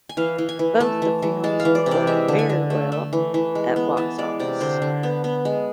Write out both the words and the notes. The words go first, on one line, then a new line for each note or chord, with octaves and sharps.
Both the films performed very well at box office.
G#5
E3 F5
E3
G#5
E3
A3 A5
E3
E3
G#3 A5
F5
E3
D5
C3
D5
G#3 E5
D3
G#5
D3
A3
A3
E3
E3
G#3
B3
E3 A5
G#3 D5
C3 D5
D3 C5
D3
B3
B3
G#3